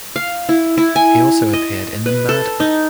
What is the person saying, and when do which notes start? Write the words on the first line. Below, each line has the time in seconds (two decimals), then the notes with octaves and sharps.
He also appeared in the Murder!
0.16 F5
0.49 E4
0.78 E4
0.96 G#5
1.53 D#5
2.06 B4
2.29 A4
2.60 D#4